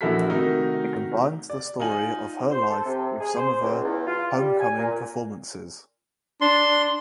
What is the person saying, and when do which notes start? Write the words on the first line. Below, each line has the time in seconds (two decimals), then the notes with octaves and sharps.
It combines the story of her life with some of her Homecoming performances.
0.01 A#1 E4 F#4 A4 A#4 B6
0.28 C3 D#3 A3 D#4 F#4 A#4
1.50 D5
1.80 D#4 F4 G#5 F#7
2.51 C5
2.71 A4
2.86 C3
3.20 G#4
3.37 C5
3.61 C#2
3.84 E2
4.07 F4
4.37 G3
4.60 G#5
4.78 A#2
6.41 D4 C6